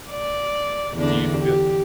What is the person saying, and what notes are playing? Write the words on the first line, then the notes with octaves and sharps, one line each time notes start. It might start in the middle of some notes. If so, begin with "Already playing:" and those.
Do you fee
D5
E2 D3 D4
G4